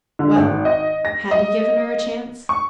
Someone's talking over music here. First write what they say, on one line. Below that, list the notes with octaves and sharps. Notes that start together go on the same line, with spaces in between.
Well, had he given her a chance?
D3
G#1
D#5
A#6
D#5
C#6